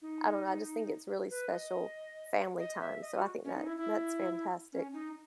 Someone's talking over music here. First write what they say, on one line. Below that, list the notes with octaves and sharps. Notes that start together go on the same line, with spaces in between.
I don't know, I just think it's really special family time, so I think that that's fantastic
D#4
B4
D#5
D#5
E5
D#5
F#4
C#4
D#4
E4
E4
C#4
D#4